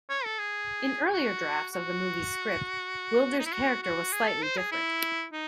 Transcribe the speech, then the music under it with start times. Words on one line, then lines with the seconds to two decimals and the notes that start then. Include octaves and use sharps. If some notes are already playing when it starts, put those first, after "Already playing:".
In earlier drafts of the movie's script, Gwildor's character was slightly different.
0.09 C#5
0.24 A4
0.38 G#4
1.13 F#4
1.73 F#4
3.39 D#4
3.45 E4
3.52 F#4
3.83 F#4
4.13 G#4
4.27 A4
4.42 C5
4.57 G#4
4.72 E4
5.32 D#4